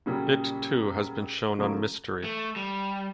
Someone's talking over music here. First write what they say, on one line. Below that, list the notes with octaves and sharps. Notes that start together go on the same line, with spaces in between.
It too has been shown on Mystery!
A#2 C#3 F#3 G3
C#3 F3 F#3 A3 A#3
A3
G3